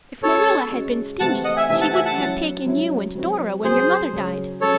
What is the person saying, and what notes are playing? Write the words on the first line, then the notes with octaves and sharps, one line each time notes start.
If Marilla had been stingy she wouldn't have taken you and Dora when your mother died.
G#3 C#4 F#4 A4 C#5
G#3 C#4 F#4
C3 E3 A3 C4 E4 F#5 A5
D#5 F#5
E5 G#5
C3 E3 A3 C4 E4 E5 G#5
F#5 A5
E5 G#5
F#5 A5
F#3 C#4 E4
F#3 C#4 E4
F#3 C4 F#4
F#3 C4 F#4 G#4 C5
C#3 F#3 C#4 G#4
F#3 C#4 G#4 A4 C#5